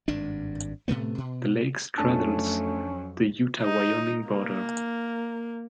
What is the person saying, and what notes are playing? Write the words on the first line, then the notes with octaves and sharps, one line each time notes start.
The lake straddles the Utah-Wyoming border.
G#1 G2 D4
A2 C3 A3 B3
B2
F2 F#3 A3 C#4 D4 A5
D#4
A#3